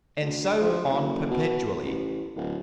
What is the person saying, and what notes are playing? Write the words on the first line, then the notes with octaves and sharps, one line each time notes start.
And so on perpetually.
D2
F3
F#1
B2
A1
D1